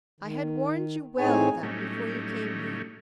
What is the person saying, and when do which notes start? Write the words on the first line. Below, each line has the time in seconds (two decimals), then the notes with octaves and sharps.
I had warned you well of that before you came here.
0.20 D#3
1.18 A2 C4 D#4 G#4 C#5 G#5
1.63 A2 F#3 G3 A3 C#4 D#4